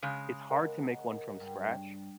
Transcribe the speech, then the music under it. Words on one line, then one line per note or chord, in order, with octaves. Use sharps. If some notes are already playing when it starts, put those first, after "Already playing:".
it's hard to make one from scratch.
C#3 G#3 D#6
A#4 D#5 F#5
G2